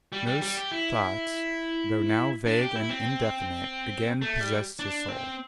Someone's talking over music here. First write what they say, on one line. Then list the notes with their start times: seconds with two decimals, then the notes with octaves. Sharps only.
And those thoughts, though now vague and indefinite, again possessed his soul.
0.12 G3
0.27 G3
0.42 G3
0.57 G4
0.71 E4
2.46 D4
2.61 G4
2.75 E4
2.90 C4
4.22 A3
4.40 G3
4.79 D4
5.08 C4